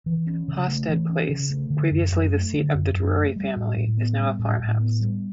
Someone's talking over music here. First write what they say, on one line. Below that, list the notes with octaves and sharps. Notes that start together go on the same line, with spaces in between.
Hawstead Place, previously the seat of the Drury family, is now a farmhouse.
E3
C#4
C#3
A3
E3
C#4
C#3
A3
D3
F#2
F#2
A3
D3
F#2
F#2
A3
G3
A2
A2
B3
G3
A2
A2
B3
G3